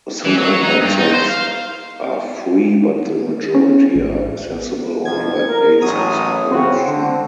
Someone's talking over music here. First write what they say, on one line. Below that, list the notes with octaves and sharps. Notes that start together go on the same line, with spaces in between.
Some record sets are free but the majority are accessible only by paid subscription.
E3
F#3
D#4
G2
D#4
C5
F5
C#4
A1
B1 F2 F3 G#6
A#4
A1 F#3 D#6
C2 C#3 C4 F#4
D3